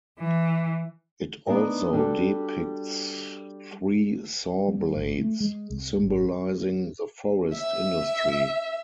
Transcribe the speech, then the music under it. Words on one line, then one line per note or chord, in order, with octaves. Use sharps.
It also depicts three saw-blades, symbolizing the forest industry.
E3
B3 D4 D#4 A#4
G3 D4 F#4 A4
G3
G#1
A3
G#3
C2
G#1
E5